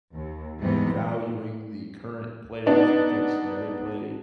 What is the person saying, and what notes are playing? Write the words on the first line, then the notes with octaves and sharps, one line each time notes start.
valuing the current players because, you know, they play
D#2
G#2 C3 E3 F#3 B3
B3 D4 D#4